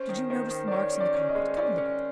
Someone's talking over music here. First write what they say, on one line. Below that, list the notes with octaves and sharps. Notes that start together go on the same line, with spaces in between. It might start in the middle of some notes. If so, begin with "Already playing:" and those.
Did you notice the marks on the carpet?--Come and look at them.'
Already playing: C#4 C5
D#3
D#3 C5
D#3
D5
D#3 C#5
C#4
D5
C#4
D#5
G#3
C#4 D5
C#4